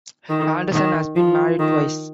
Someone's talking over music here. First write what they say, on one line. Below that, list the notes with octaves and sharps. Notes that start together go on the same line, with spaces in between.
Anderson has been married twice.
D#3
D#3
F3
D#3